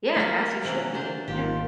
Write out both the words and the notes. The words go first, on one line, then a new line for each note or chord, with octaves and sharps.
Yeah, and as you should be, yeah.
A3 A#3 F#4
C3 E3 F#3
D4 C5
G#1 D#3 A#3 F4 G4